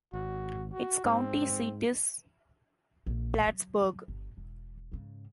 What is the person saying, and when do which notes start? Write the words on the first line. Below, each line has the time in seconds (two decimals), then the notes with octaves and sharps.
Its county seat is Plattsburg.
0.13 G#1 F#4
0.73 F#4
1.05 G#2 C4
3.06 A#1 E3
3.46 F#3
4.08 G1
4.37 E1
4.92 G#2 C#3